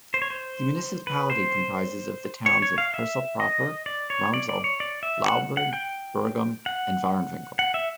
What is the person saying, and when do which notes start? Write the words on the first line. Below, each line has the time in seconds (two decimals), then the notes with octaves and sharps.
The municipality comprises the towns of Herselt proper, Ramsel, Blauberg, Bergom and Varenwinkel.
0.14 C5
0.22 C#5
0.30 C5
1.07 B4
1.30 C5
2.46 C#5
2.62 C#5
2.78 F5
2.94 E5
3.40 D#5
3.86 D5
4.10 C#5
4.34 D5
4.49 D5
4.64 C#5
4.80 D5
5.03 E5
5.26 F#5
5.57 F#5
5.73 G5
6.66 F#5
7.59 F#5
7.74 E5